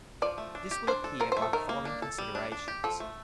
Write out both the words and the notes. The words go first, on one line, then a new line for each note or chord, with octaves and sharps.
This will appear by the following Considerations.
F3 D5
A3
D4
G4
D4 C5
A4
F3 A#4
C5
A3
A4
D#3 A#4
A#3
D4
A4
G3
D4
D4
G4
F3 A4
A3